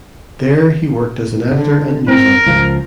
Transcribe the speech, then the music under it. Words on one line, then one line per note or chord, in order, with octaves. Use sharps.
There he worked as an editor and news anchor.
D3
C4 A#4
C#2 F3